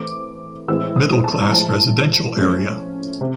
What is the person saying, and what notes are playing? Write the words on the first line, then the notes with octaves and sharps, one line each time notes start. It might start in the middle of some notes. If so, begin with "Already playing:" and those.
Middle class residential area.
Already playing: E3 A3 C4 D6
A2 E3 G#3 C4 E6
D#6
A5
A#5
A2 F3 G#3 A5
F3 A3 C#4
C3